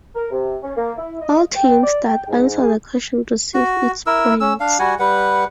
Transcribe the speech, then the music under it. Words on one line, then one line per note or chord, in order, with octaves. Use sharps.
All teams that answer the question receive its points.
A#4
C3
C#4
A#3
E4
D#5
G5
D5
G5
G#2
G#4
F#4
E4 A#4 E6
C#4 E6
D4 F5
G3 F#4 F#5 G#5
G3 B4 F#5